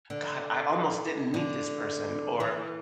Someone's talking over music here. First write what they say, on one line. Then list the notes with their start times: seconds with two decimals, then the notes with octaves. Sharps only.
"God, I almost didn't meet this person," or,
0.10 D3
1.34 D3
2.40 E3